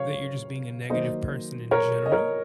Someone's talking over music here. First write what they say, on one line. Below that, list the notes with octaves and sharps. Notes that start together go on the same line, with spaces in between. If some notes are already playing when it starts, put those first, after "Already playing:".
that you're just being a negative person in general,
Already playing: C#3 F#3 C#5 F5
D#3 F#3 A#3 C5 D#5
A#4 C#5
D#5
A#4 C#5